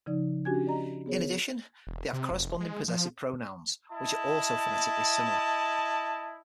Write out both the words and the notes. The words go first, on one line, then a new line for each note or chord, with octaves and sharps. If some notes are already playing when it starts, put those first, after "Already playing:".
In addition, they have corresponding possessive pronouns, which are also phonetically similar.
C#3 F3 D#4 D5
C#4 D4 F#4 G4 G#5 G#6
D5 D#5 A#5
B3 G#4 C#5
E1
C3
F1
G#3
F3
E4 D#5 A5